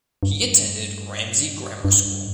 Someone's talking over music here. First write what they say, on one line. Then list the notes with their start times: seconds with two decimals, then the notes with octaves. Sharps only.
He attended Ramsey Grammar School.
0.23 G2
1.85 G2